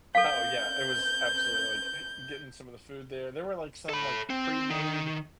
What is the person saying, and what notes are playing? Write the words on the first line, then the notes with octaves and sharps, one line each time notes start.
Oh yeah, it was absolutely, like eh, getting some of the food there there were, like, some, like, pre-made,
A4 F5 G6
A4 B5
C4
D#3